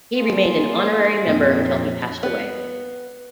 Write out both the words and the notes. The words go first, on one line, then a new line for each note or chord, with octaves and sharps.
He remained an Honorary Member until he passed away.
A#3 F4 G#4
F2 A#2 C4
B3